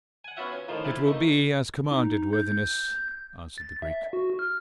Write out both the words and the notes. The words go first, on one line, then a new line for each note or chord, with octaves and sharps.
"It will be as commanded, worthiness," answered the Greek.
F#5 G#5
B3 C#4 F4 F#4 E5 F#5
C#4
A2 D#3 F3 F4
E4 F4 G4 B4 D5
A#1 A3 D#4
D#4
G6
A6
E5
F#4
F6